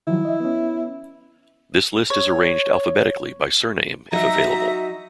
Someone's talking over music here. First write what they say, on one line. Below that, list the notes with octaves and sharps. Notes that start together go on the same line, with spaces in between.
This list is arranged alphabetically by surname if available.
D#3 F3 F#3 E4
D#5 E5
B3 C#4
C#5
F#3 D#4 F#4 E5 A#5